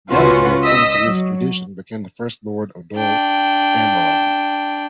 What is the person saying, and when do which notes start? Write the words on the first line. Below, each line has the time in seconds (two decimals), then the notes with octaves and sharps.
Galador, according to this tradition, became the first Lord of Dol Amroth.
0.11 C#2 C#4 F4 F#4 B4
0.64 D#5 D#6 E6 B6
1.06 F#3
2.97 D4 G5